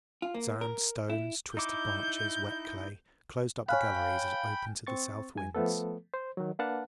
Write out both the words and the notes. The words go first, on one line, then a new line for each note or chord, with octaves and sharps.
Sand, stones, twisted branches, wet clay, closed up the galleries open to the south winds.
F4
A#3
A#4
E4
D#4 E4 D6 G6
C#5 F5 G5 G#5 B5 F6 F#6
C4 C#6 A6
G2 G#5
F3 A3 B3 A4
C5
D#3 F#3
A#3 D4 B4 F5 F#5 A5